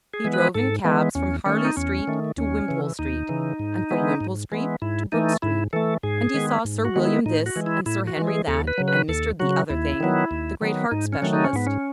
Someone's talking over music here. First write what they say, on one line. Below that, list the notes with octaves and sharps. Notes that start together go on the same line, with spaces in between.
He drove in cabs from Harley Street to Wimpole Street, and from Wimpole Street to Brooke Street--and he saw Sir William this and Sir Henry that, and Mr. The-other-thing, the great heart specialist.
G#4
E3 G#3 B3
B4
G#2 A4
E3 G#3 B3
E2 C#4
D#3 A3 C#4
D#4
E2 C#4
D#3 A3
D#2 C#4
C#3 E3
D#2 D#4
C#3 E3
G#2
E3 G#3 B3
G#2
E3 G#3 B3
G#2 E4
E3 A3 D#4
G#2 E4
E3 A3 A4
G#2 G#4
D#3 G#3 B3
G#2
F#4
D#3 G#3 B3
E4
A2 D#4
F#4
E3 G#3
E4
A2 E4
F#4
E3 G#3
G#4
D#2 A4
B4
C#3 F#3
B4
D#2 A4
C#3 F#3 F#4
D#2 E4
D#3 F#3 B3
D#2
D#3 F#3 B3
G#2 D#4
C#4
D#3 F#3 A3
D#4
C#4
G#2 B3
C#4